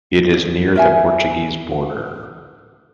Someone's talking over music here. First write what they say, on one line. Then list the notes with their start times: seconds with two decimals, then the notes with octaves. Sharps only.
It is near the Portuguese border.
0.76 A#4 E5 G#5